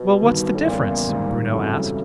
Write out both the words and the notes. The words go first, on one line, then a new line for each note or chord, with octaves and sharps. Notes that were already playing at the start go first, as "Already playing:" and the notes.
"Well, what's the difference?" Bruno asked.
Already playing: B2
G2 D#3 G3
A2
E2 A#2 C#3 E3 G3 A#3
G#2 D#3 G3 A#3
F#2 A2 C#3 E3 G3 C4